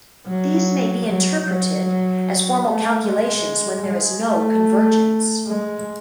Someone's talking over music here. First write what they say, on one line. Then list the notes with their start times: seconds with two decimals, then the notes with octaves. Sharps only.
These may be interpreted as formal calculations when there is no convergence.
0.27 F#3
1.06 F#3
1.47 F#3
2.66 A3
3.06 G#3
3.87 G#3
4.26 A3
5.47 G#3